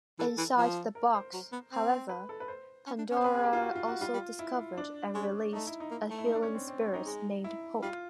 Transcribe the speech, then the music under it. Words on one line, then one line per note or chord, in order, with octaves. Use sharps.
Inside the box, however, Pandora also discovered and released a healing spirit named Hope.
E3 A4
E3
F3
A#4
C5
F#3
B3
C4
B4
A4
B4
C5
C#4
D4
C#4
C5
B3
C4 B4
G#4
G4
F4
F#4
F4
F#4
G3 F4
G3
E4
D4
G#3 C#4
A3 D#4
E4
D#4
A#3
A3
E4
D#4
D4
C#4
C4
C4
C#4
D#4
G#3
E4
G3 F4